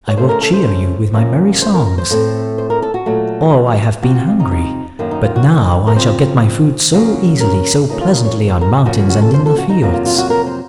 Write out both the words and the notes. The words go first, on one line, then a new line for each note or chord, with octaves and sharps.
I will cheer you with my merry songs. Oh, I have been hungry; but now I shall get my food so easily, so pleasantly on mountains and in the fields.
C#5
C#3 A3 C#4 C5
A#4
A4
C5
F#2 F3 A#3 C#4
C5
A#4
A#4
C5
A2 A3 C4
C5
A#4
A4
F#4
A#2 F#3 A3
C3 F3 C4 F#4
F#4
F4
D#4
D#4
F#2 D#3 A#3
D#4
F4
F#4
A#4
C#3 F3 C4 C5
F#2 C#3 F#3 A#3 C#4
A#4
F2 D#3 A3 C#4 D#4
F4
D#4
C#5
C5
A#4
F#4
C#3 F3 A#3 C#4 F#4
F#4
F#4
A4
C5
A4
F#4
D#4
F2 C3 F#3 A#3 D#4
F4
F4
F#4
A#4
C5